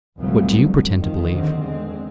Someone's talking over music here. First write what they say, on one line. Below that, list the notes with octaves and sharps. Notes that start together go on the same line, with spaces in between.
What do you pretend to believe?'
F1 C2 C#3 F3 F#3 A3
D3
D#3 F3
D#2 D3 D#3 C4
E2 G#3 C4